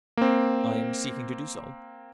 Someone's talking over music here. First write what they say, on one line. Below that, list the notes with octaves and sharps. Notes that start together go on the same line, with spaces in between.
"I am seeking to do so."
A#3 C4